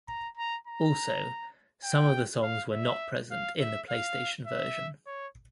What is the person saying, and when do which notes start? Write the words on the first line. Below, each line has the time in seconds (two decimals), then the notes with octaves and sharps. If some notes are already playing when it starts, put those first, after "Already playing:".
Also, some of the songs were not present in the PlayStation version.
0.08 A#5
0.37 A#5
0.67 A#5
1.84 G5
2.43 F5
2.72 E5
3.31 F5
3.60 E5
3.90 F5
4.47 E5
5.07 C#5